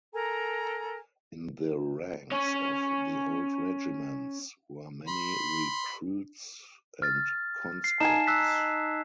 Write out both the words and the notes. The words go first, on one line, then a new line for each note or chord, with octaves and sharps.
In the ranks of the old regiments were many recruits and conscripts.
A4 A#4 G#5 A#5
C#4 C#5
B5 C6
F6 A6
C7
D#4 G#5 A5 C7 E7
E6 F#6 B6